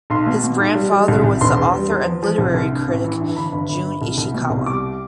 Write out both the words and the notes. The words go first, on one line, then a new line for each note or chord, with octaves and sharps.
His grandfather was the author and literary critic Jun Ishikawa.
B1 C6
B2
B2
B1
G3
G3
C2
C2
E1 C6
E2
G3
E2
F3
F3
C2
C2
G2
A1
E3
G2
G1 B5
G1
G1
G2
C2
C2
B2
C2
G3 D6